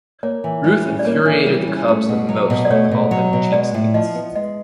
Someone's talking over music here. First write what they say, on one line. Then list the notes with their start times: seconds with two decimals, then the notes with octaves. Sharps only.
Ruth infuriated the Cubs the most when he called them cheapskates.
0.23 A#3 C#5
0.44 E3
0.64 G3
0.85 C#4
0.99 D5
1.05 A#3 C#5
1.25 E3
1.46 G3
1.67 C#4
1.88 A3
2.09 B2
2.29 F#3
2.50 B2
2.65 D5
2.71 A3 C#5
2.91 B2
3.11 F#3
3.33 B2
3.52 G#3 D5
3.74 A2
3.94 F3 D#5
4.15 B3
4.35 G#3 D#5